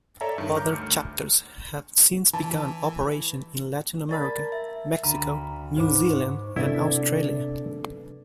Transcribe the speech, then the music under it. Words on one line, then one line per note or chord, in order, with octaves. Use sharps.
Other chapters have since begun operation in Latin America, Mexico, New Zealand, and Australia.
A4 C#5 D5 E5 A5 A#5
G2 D#3
A#5 D6 F6 G6
D2 C#7
E3 A5
A#4 D5 A5 B5 A6
E5
D2 A#5 B5 D#7
G#2 D#4 B4 C5 D6 E7
C#6
C3 B3 D4 E4 A4 B4 D5 E5